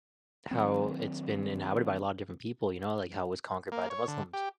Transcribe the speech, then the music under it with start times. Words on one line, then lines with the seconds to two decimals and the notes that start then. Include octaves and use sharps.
how it's been inhabited by a lot of different people, you know, like, how it was conquered by the Muslims,
0.51 D#3 F#3 C4
3.72 A#3
3.90 C#5
4.08 D3
4.33 G4